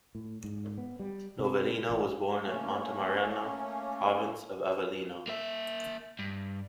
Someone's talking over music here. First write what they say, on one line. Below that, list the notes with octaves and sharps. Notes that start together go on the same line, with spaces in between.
Novellino was born at Montemarano, province of Avellino.
A2
G#2
B3
G3
C3
A1
A3 A#3 C#4
A#3 E5
G2